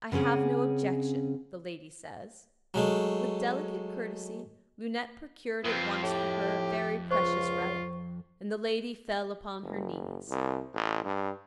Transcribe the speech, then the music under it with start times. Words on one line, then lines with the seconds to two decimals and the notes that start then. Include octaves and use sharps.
"I have no objection," the lady says. With delicate courtesy, Lunete procured at once for her a very precious relic, and the lady fell upon her knees.
0.12 C#3 C4 C#4 G#4 F#5
2.74 F#3 G#3 A3
5.64 F2 C4 F4 B4
6.03 A2 G4
7.11 C#2 F4 C5 C#6
9.63 F#1
10.30 C2
10.75 A1
11.04 G2